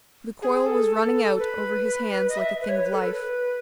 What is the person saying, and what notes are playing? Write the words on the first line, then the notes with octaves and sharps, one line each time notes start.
The coil was running out over his hands like a thing of life.
G#4
A4
B4
D#5
E5
B4
C#5
B4
A4
B4